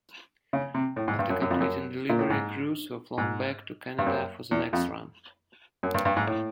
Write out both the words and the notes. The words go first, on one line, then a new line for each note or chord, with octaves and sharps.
After completing delivery, crews were flown back to Canada for the next run.
C#3
C3
A2
G#2
G2
F#2
F#2
F2
F#2
A#2
A2
G#2
G#2
G2
F#2
E2
F2
F#2
G2
G2
G#2
A2